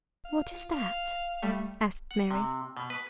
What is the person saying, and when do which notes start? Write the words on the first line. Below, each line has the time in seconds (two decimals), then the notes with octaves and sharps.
"What is that?" asked Mary.
0.25 F5
0.51 F4
0.73 F5
1.42 G3 A3
2.11 F#5
2.31 C3
2.77 B2
2.90 B4